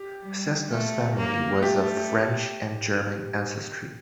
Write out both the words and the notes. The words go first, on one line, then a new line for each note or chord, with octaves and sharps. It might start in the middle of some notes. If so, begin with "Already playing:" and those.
Cessna's family was of French and German ancestry.
Already playing: G4
G3
A3
A#3
A3 G4